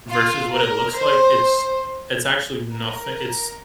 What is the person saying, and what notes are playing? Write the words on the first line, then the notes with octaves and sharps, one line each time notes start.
versus what it looks like, it's it's actually nothi it's
F4
A#4
C5
A#4